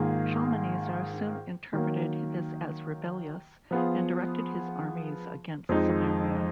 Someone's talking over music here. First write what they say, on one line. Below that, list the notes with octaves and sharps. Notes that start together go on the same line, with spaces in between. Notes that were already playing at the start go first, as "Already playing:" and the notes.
Shalmaneser soon interpreted this as rebellious, and directed his armies against Samaria.
Already playing: G#2 D#3 A#3 F4 G#4
D#3 F#3 A#3
F3 B3 F4 G#4
F2 F3 G#3 D#4